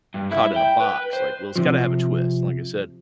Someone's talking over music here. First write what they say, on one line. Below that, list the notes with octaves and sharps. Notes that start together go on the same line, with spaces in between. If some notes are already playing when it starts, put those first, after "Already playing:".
caught in a box, like, "Well, it's gotta have a twist," and like I said,
G2
E4
G5
B4
C5
C3 F3